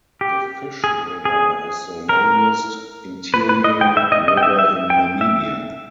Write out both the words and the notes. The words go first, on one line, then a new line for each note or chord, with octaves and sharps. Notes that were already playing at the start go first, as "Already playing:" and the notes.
The Fish River is the longest interior river in Namibia.
G4
G#4
G#4
A#4
B4
B4
D#5
G5
E5
D#5
D#5
G5
E5
E5
G5
E5